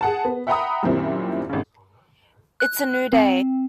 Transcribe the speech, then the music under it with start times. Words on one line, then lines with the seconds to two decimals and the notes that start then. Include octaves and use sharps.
It's a new day.
0.01 G#4 F#5 A5
0.25 B3
0.47 E5 F#5 G5 A#5 B5 D#6
0.83 F#2 A#2 D#3 G3 C4 E4
1.49 G#1 C#3
2.60 F#6
3.13 C4